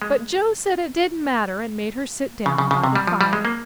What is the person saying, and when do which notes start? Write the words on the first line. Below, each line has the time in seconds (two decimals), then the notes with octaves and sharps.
But Joe said it didn't matter and made her sit down by the fire.
0.02 G#3
2.46 C#3
2.58 C#3
2.71 C#3
2.84 C3
2.95 G3
3.07 F3
3.21 G3
3.33 G#3
3.45 A#3